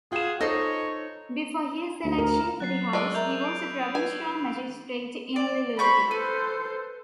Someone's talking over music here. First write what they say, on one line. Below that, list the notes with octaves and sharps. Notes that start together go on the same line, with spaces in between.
Before his election to the House, he was a provincial magistrate in Lillooet.
F4 G#4 F#5 G5 E7
D#4 A4 C5 C#5 D#6
D2
A#4
F#3 F#6 A6 C7
G#3 D5 C#6 E6 F#6
A#4 E5 A#5 G6 F7
C7 D7
B4 G#5
D5
C5 B5 C#6 G6
A4 B4 C5